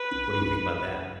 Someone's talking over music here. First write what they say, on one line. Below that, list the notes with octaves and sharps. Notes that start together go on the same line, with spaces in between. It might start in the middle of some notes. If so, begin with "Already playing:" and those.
What do you think about that?
Already playing: B4